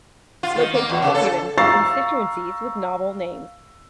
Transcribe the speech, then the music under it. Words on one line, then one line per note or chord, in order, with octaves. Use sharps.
Locations are given for constituencies with novel names.
F4
D#3
A#3
E2
C#3
A4
F5 A#5 C#6 E6 A6 C7